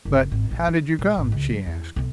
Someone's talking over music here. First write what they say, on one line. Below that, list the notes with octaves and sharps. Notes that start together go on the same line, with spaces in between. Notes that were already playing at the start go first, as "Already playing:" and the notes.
"But how did you come?" she asked.
F#1
G#1
A#1
D#4
A#1
G#1
C#2
F#3
E2
B1